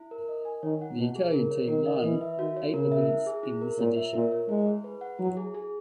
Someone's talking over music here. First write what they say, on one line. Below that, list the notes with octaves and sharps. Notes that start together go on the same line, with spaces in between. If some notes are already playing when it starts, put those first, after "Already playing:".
The Italian team team won eight events in this edition.
Already playing: E4
A#4
D#5
G#5
D#3 C#5
F#5
B2 E4
G#4
C#3 A#4
C#5
D#3 A#4
D#5
E3 B4
E5
D#3 F#4
C#5
C#3 A#4
E5
E4
G#4
E4
A#4
A#2 C#5
E5
A#2 A#4
C#5
G#3 E4
G#4
B4
F#5
F#3 E4
G#4
G#4